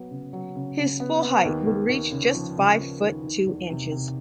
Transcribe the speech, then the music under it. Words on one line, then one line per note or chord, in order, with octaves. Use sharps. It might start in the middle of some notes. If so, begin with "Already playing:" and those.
His full height would reach just five-foot, two inches.
Already playing: F#3 B3
C#3
F#3
C#3
C#3
B3
B3
D#2
D#2
D#2
C#3
F3
C#3
F3
D#2
D#3
E2
C3
C3